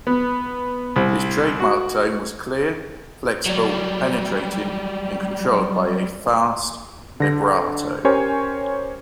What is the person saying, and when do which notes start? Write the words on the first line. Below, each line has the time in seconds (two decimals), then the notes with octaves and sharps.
His trademark tone was clear, flexible, penetrating, and controlled by a fast vibrato.
0.07 B3
0.96 C2
1.60 F#4
3.46 F#3 G3
7.20 D3 A#6
8.05 C#4 G4 A#4 C5 C#5 G#5